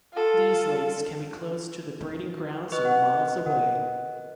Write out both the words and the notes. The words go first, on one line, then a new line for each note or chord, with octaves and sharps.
These lakes can be close to the breeding grounds or miles away.
F4 A4
B4 D#5 C#6 F#6
F#5
A#4 F#5